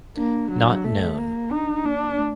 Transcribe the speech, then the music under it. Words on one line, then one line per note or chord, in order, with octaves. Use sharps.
Not known.
A#3 D4
F#3
A3
A#3
D4 D#4
D4
A#3 D4
A3